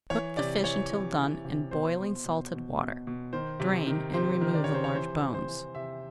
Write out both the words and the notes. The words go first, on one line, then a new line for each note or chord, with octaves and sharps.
Cook the fish until done in boiling salted water, drain, and remove the large bones.
E3 C#5
C3 D5
E3 C#5
C3
E3
C3
B2 C5
B2
B2
B2
B2
B2
D#3 C5
C3
D#3
C3 C5
D#3
D5
C3 C#5
C5
C#5
E3 C5
C3
C5
E3
C3 E5